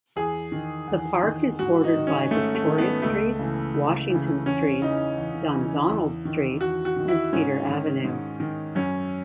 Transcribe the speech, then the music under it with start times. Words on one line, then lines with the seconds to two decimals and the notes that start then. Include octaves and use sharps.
The park is bordered by Victoria Street, Washington Street, Dundonald Street and Cedar Avenue.
0.16 E2 G#4
0.52 D#3
0.87 E2
1.23 D#3
1.59 G#2 F#4
1.84 D#4
1.95 D#3
2.07 C#4
2.31 G#2 A3
2.55 A3
2.67 D#3
2.78 B3
3.02 C#2 A3
3.39 C#3 E3
3.74 C#2
4.10 C#3 E3
4.46 E2 C#4
4.82 C#3 E3 D#4
5.17 E2
5.53 C#3 E3
5.89 E2
6.25 D#3
6.61 E2 F#4
6.85 F#4
6.96 D#3
7.08 E4
7.33 G#2 C#4
7.69 D#3
8.04 G#2
8.40 D#3
8.75 F#2 C#4